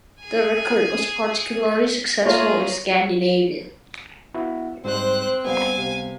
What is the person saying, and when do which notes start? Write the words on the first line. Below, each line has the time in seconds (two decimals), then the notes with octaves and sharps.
The record was particularly successful in Scandinavia.
0.20 G#4 G#5
2.25 A3 A#3 F4 G#4 C#5 A#5
4.34 B3 E4 F#4
4.85 G#2 G3 G#3 C4 C5 F#6
5.45 C#2 G3 B3 F5 G#5
5.77 C3